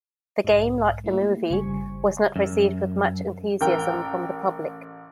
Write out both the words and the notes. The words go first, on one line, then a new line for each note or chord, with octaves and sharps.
The game, like the movie, was not received with much enthusiasm from the public.
B1 G#2
A3 A#3 E4 F4 G4
G1 C#3 G3 C5 G#5 C#6
F#2
A1 A#4 G5